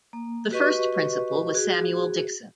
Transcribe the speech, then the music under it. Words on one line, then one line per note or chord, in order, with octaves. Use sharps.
The first Principal was Samuel Dixon.
A#3
F#4 G4 B4 D#5 C#6
F#4 G#4